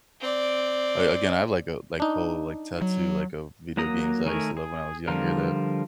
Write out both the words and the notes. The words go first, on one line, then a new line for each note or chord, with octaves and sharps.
a again, I have, like, a like, whole, like, tattoo, like, of video games that I used to love when I was younger that
C4 D5
D4 D#4
F#3
F#3 A#3 A#5 D#6
D#3 A3 G#4 A#4 C#5
G#4
D3 F3 G3 F4 A#4